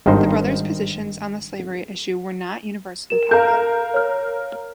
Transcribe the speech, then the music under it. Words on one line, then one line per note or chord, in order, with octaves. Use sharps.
The brothers' positions on the slavery issue were not universally popular.
G#1 G2 D#3 D#4 C5
A#4 E7
A#4 F5 A#5 G6
C#5 F6